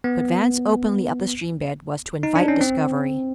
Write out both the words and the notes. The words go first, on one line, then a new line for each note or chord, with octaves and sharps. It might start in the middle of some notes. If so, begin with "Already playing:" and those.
To advance openly up the stream bed was to invite discovery.
B3
D#4
D4
C#4
C4